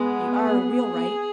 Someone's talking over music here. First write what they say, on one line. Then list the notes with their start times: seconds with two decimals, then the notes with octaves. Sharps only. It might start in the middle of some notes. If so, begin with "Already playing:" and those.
"You are a wheelwright?"
Already playing: G#3 B3
0.45 G#4